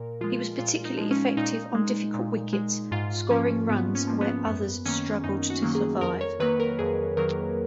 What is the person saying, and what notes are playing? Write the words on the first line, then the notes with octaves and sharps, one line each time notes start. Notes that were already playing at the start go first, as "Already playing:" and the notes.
He was particularly effective on difficult wickets, scoring runs where others struggled to survive.
Already playing: A#2 A#4
F3 G#3 F4
A#2 F4
D#4
F3 G#3
C#4
A#2 D#4
G#3
A#2
G#3
G#2 F4
F3 A#3 C#4
G#2 B3
C#4
F3 A#3
B3
F#2 B3
D#3 F#3 A#3 C#4
F#2 D#4
F#4
D#3 F#3 A#3
G#4
F2 A#4
C#5
D#3 F#3 A#3 B4
A#4
F2 G#4
D#3 F#3 A#3 A#4